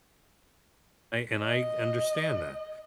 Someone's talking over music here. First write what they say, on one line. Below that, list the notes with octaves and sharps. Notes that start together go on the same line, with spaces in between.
I and I understand that.
D#5